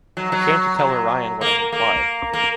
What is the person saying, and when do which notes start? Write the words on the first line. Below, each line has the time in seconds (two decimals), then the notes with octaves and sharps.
I came to tell Orion what I implied.
0.17 F#3
0.32 F#3
0.79 F#3
1.41 A#3
1.72 A#3
2.33 A#3